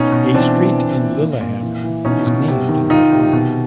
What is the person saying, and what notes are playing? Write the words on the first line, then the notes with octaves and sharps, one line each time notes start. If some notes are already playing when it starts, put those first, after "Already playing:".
A street in Lillehammer is named in her honor.
Already playing: B2 C#4 D#4
B2
E3 C4 D4
E3
E3
E3
A#2
A#2
E3
E3
B2 C#4 D#4
B2
C3
D#3
D#3 D#4 F4
C3
B2